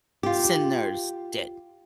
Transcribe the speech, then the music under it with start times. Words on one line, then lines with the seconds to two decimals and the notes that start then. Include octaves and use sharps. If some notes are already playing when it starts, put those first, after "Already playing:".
Sinners did?
0.23 F4 G4